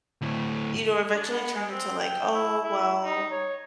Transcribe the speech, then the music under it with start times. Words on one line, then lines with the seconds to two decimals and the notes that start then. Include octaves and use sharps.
you know, eventually turned into, like, "Oh, well"
0.21 D2 A2
1.14 D4
1.32 B3
1.55 G#3
1.71 C4
1.99 G5
2.34 E4
2.64 E4
3.04 D#4
3.31 C#5